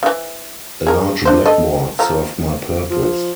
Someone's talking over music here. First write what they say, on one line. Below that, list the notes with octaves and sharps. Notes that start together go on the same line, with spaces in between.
A large blackboard served my purpose.
C#3 E3
G#4 A#4
D4 C5
A4 D#5
F3 A4 A#5
F3